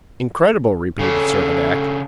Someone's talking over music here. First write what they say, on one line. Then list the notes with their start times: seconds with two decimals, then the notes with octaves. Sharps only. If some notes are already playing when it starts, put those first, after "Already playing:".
"Incredible?" repeated Servadac.
0.99 C#3 C#4 D4 A4